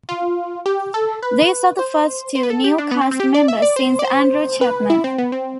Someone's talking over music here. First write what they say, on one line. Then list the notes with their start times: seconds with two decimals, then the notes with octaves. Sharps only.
These are the first two new cast members since Andrew Chapman.
0.09 F4
0.66 G4
0.94 A4
1.23 B4
1.79 C5
2.35 C5
2.43 B4
2.50 A4
2.64 G4
2.78 D4
2.91 B3
3.01 C4
3.11 C4
3.20 G4
3.34 D5
3.48 E5
3.62 D5
3.76 C5
3.99 D5
4.05 C5
4.61 B4
4.90 E4
5.04 C4
5.18 B3
5.32 C4